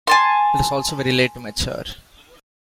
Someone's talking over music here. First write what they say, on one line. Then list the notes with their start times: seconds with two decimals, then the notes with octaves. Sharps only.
It is also very late to mature.
0.07 G#5 A5 C6